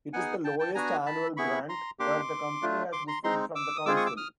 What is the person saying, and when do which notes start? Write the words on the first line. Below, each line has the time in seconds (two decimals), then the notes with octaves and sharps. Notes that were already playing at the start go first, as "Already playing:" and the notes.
It is the lowest annual grant that the company has received from the council.
0.13 B3 D#4 G#4 F#5 G#5
0.44 G5 A5
0.59 G5 A5
0.75 B3 D4 F#4 G#5 A#5
1.06 A5 B5
1.37 B3 E4 G#4 B5 C#6
1.69 A#5 C6
1.99 A#3 D4 G4 C6 D6
2.62 A3 D4 F4
2.92 C6 D6
3.08 A#5 C6
3.23 G#3 C4 D#4 A#5 C6
3.55 D6 E6
3.77 D#6
3.86 G#3 C4 F4 G#4 D6 E6
3.96 C#6 D#6
4.06 D6 E6
4.17 D#6 F6